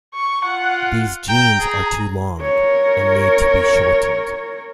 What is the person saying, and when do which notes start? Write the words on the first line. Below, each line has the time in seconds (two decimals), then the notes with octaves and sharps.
These jeans are too long, and need to be shortened.
0.15 C#6
0.45 F4 F#5
1.29 G5 A#5
1.60 G#4
2.40 A#4 C#5